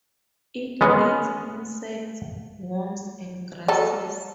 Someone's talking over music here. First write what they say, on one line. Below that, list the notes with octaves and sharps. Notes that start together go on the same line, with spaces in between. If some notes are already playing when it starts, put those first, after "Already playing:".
It eats insects, worms and grasses.
G#3 B3 C#4
F#3 A4